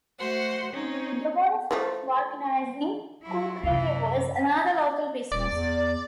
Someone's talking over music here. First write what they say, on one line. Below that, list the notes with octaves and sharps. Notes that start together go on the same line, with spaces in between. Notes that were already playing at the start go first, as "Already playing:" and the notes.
The Wollaston Vulcanising Co-Operative was another local business.
A3 F#4 C5 F#5
C4 C#4 D#4
E3 F3 A3
F#3 E4
F#2 C3 E3
D#1 D5
E2